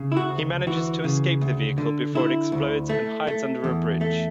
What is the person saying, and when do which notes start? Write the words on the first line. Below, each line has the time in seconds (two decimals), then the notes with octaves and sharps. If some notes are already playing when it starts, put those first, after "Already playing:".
He manages to escape the vehicle before it explodes and hides under a bridge.
Already playing: C#3
0.12 E4
0.17 F#4
0.29 D2
0.67 E3 F#4
1.04 C#3
1.41 D2
1.78 D3
2.15 D3 E4
2.52 D2
2.89 A3
3.27 A3
3.64 E2
4.01 A3